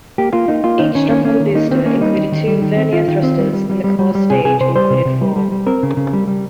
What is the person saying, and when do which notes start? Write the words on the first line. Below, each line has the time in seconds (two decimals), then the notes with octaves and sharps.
Each strap-on booster included two vernier thrusters and the core stage included four.
0.18 A#3 G4
0.33 A#3 F4
0.48 A#3 D#4
0.64 A#3 F4
0.79 D#3 D#4
0.95 D#3 C#4
1.09 A#3 C#4
1.25 A#3 C#4
1.40 D#3
1.55 A#3 D#4
1.71 D#3 C4
1.86 A#3 C#4
2.01 G3 D#4
2.16 D#3
2.32 D#3
2.48 G3
2.62 D#3
2.77 C4
2.93 D#3 F4
3.08 D#3
3.23 C4
3.39 G3
3.53 G3
3.70 G3
3.84 G3
3.99 G3
4.15 G3
4.30 C3 G#4
4.45 C3 G#4
4.60 C3 C5
4.76 G3 C5
4.90 C3
5.06 C3
5.21 G3
5.36 G3
5.52 G3
5.66 C4 A#4
5.83 C#3
5.97 C#3
6.13 G3
6.27 G3